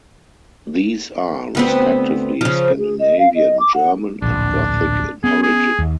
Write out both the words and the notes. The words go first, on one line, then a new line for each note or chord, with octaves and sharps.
These are, respectively, Scandinavian, German, and Gothic in origin.
D2 B3 C4
C#3 F3
G#4
D#5
F5
D#5
D6
F#5
D1 A#1 D4
B3 C#4 G#4
G#4
D#2